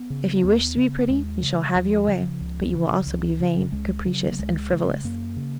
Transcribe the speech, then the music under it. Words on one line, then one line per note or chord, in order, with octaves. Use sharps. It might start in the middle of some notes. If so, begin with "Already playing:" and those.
If you wish to be pretty you shall have your way, but you will also be vain, capricious, and frivolous.
Already playing: B3
C#3
D#2 B3
C#3
D#2 G#3
C#3
D#2 F3
C#3 F3
C#2
C#3
C#2
C#3
C#2 G#3
C#3 F#3
A#3
C#2 G#3
C#3
F#2 A#3
C#3